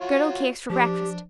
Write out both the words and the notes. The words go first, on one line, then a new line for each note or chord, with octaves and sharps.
Gridel cakes for brekfast.
F4 F#4 C#5
F3 D4 G4